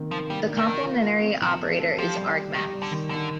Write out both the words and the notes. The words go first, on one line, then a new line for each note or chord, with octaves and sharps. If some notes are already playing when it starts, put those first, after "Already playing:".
The complementary operator is argmax.
Already playing: D#3 A#3 C4
D#3 F3
G3 A#3
D4
D#3
A#3
F4
F4
C4
C3 F3
C4
A4
F3 G4
G3
G4
D#3 G4
G3
D3
D#3
D3 D#3